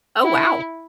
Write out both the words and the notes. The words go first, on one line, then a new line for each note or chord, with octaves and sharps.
Oh, wow.
E4